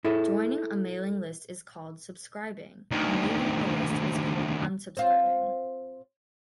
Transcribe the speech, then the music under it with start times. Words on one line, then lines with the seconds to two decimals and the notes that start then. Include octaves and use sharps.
Joining a mailing list is called "subscribing" and leaving a list is called "unsubscribing".
0.05 E4 G#4 A4 E5
2.91 D2 D#3
4.97 C4 F4